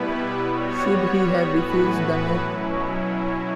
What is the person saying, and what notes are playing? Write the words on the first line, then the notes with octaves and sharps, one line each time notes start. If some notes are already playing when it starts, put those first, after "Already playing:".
Should he have refused the note?
Already playing: B2 G3 B3 E4 B4
G3 B3 F#4 C#5
A2 E3 B3 F#4 B4
B2 F#3 C#4 E4